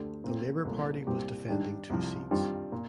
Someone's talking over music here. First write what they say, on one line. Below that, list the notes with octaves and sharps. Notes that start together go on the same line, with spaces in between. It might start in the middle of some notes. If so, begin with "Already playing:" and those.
The Labor Party was defending two seats.
Already playing: D2 D3 A3 D4 G4
A#2 A3 C4
C2 A#2 A3
C2 A#2 G3 C4 G4
G2 D#3 G3 D4
C2 C3 F3
G2 D#3 G3 C4 F4
A#2